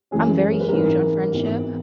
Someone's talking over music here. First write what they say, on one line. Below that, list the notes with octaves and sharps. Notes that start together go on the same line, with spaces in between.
I'm very huge on friendship,
F#2 E3 G#3 C#4 G#4
A#4
B4
G#1 G#2 E3 A#4
G#1 G#2 E3 B3